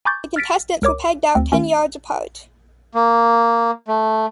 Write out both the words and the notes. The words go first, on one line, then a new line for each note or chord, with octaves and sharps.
The contestants were pegged out ten yards apart.
G#5 B5 C#6 D6 G6 A6
F6 A6 B6 D7
C#2 A#4 C#5 D6
D2 C4
D#3 A3 C#4
A#3
A3